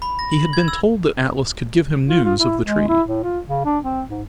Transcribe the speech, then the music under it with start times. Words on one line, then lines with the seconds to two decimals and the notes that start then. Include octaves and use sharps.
He had been told that Atlas could give him news of the tree.
0.02 B5
0.19 A#6
0.31 F#7
0.53 G#6
0.68 E6
2.08 F4
2.24 F4
2.39 E4
2.64 G#3
2.88 E4
3.07 A2
3.23 F4
3.47 C#3
3.65 D4
3.83 C4
4.09 G#2